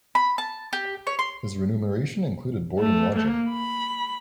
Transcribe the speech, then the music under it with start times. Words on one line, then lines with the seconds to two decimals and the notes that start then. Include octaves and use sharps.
His remuneration included board and lodging.
0.15 B5
0.38 A5
0.73 G4
1.07 C#5
1.19 C6
2.79 A3
3.15 A#3
3.50 B5